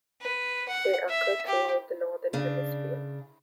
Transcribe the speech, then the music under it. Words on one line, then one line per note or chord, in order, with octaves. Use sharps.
They occur throughout the Northern Hemisphere.
B4
F#5
E5
G4
C#3 D4